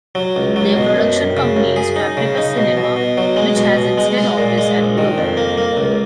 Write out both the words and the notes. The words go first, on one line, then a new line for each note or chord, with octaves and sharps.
Their production company is Fabrica Cinema, which has its head office at Bologna.
F#3
C#2
F#3
B2
F#2
F#2
C#3
F#2
G#4
D#4
C#3
D#4
B2
B2
B2
F#3
G#3
B2
B2
G#3
G#3
A#2
G#3
A#1
D#3
F2
A#3
A#3
C#2